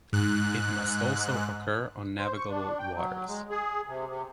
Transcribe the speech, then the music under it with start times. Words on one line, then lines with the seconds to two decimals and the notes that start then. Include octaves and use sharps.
It must also occur on navigable waters.
0.12 G#2 F#6
2.18 C5
2.34 C#6
2.49 D4
2.79 G5
2.94 F#3
3.28 G#3
3.50 G#4
3.87 C3
4.08 C3